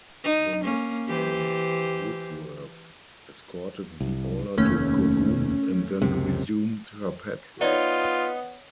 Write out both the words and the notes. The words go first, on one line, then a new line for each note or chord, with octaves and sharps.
The next day, "Woodworth" escorted the oiler to Kukum and then resumed her patrol.
D#4
A#3 C#4
E3 G4 C5
C2
F1 D#2 A3 C#4
C#2 F#2 C3
B3 D#4 F4 C#5 D5